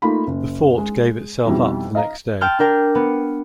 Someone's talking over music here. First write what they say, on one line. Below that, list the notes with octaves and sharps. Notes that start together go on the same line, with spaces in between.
The fort gave itself up the next day.
A3 A#3 D#4 F4 B5
F#1
G#3
F2 B2 G3 D#4 E4
D#5 F5 A#5
G5 A5 C6 F6 G6
D4 A#4 G5
B3